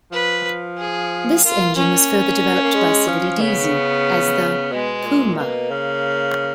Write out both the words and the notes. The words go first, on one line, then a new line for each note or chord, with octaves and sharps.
This engine was further developed by Siddeley-Deasy as the Puma.
F3 B4
G#4
A#3 F4
C#4
A#3
G#3
F3
C#3 B3
B2 G#3
A#2
B2 A#3
C#3